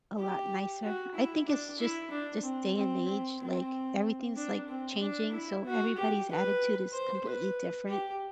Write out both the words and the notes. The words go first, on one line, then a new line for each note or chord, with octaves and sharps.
a lot nicer. I think it's just just day and age, like, everything's, like, changing, so everybody's attitude is completely different,
G4
F#4
E4
D4
E4
D4
C4
C4
C4
C4
D4
C4
D4
E4
F#4
G4
B4
C5
B4
G4